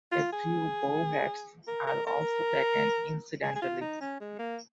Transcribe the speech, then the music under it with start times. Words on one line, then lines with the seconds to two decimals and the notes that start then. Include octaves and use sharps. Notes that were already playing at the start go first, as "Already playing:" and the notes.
A few bowheads are also taken incidentally.
0.12 F4
0.32 G#4
1.67 A#4
1.87 A#4
2.07 A#4
3.42 G#4
3.56 G#4
3.62 F4
3.81 D#4
4.01 C#4
4.20 G#3
4.39 A#3